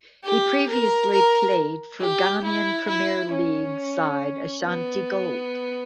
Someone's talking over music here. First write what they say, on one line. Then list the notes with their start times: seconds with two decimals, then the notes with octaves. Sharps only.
He previously played for Ghanaian Premier League side Ashanti Gold.
0.23 G4
0.68 A#4
1.11 A#4
1.99 G4
2.43 E4
2.87 E4
3.31 C#4
4.63 B3